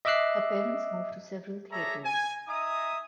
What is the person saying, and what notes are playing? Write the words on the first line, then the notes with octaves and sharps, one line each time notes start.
Her parents moved to several theatres.
D#5 E5 D6 E6 F#6 C7
G#4 A4 C#5 D5 E5 A#5
G#5
D#4 E5 G#5 A#5 D#6